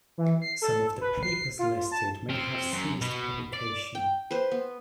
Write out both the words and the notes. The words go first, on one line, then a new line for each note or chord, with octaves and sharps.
Some of the papers listed may have ceased publication.
E3
C7
A4
B4
C7
F4
A5
C4 F4
F#2
B2
D5
G5
B4 C5
B3